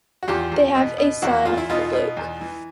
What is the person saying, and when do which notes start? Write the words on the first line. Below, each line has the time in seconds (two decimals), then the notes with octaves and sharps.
They have a son, Luke.
0.23 F#4
0.28 E2 F4 G4
0.52 E2
0.75 B2
0.98 B2
1.22 E2 E4 F#4
1.45 E2 F4
1.57 E4
1.69 B2 D#4 F4
1.93 B2
2.17 E2
2.41 E3